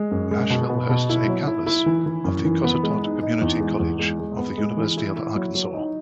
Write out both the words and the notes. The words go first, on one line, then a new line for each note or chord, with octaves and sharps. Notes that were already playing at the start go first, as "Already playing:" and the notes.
Nashville hosts a campus of the Cossatot Community College of the University of Arkansas.
Already playing: G#3
F#2
G#3
B2
B3
B2
E4
F#3
E4
E4
E3
E3
F#2
E3
B3
G#3
D#4
D#4
E2
G#3
E2
G#3
G#3
B3
G#3
E3
E4
E4
F#3
F#3
D#4